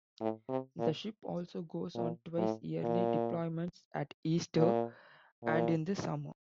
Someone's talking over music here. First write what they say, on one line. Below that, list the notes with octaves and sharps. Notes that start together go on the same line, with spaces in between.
The ship also goes on twice yearly deployments, at Easter and in the summer.
A2
C3
A#2
A#2
A2
A#2
A#2
A#2